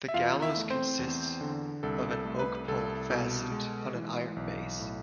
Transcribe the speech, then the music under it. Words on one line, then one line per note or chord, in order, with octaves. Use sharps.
The gallows consists of an oak pole fastened on an iron base.
E5
E2 F4 F5
E4 E5
A3
C4 C5
E2
D3
C2 A4
A4
A3
B4
C2 A4
B2
G#3
E3
B1
A2